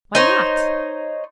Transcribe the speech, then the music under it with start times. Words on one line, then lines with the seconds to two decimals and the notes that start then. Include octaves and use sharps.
"Why not?"
0.15 D#4 C5 C#5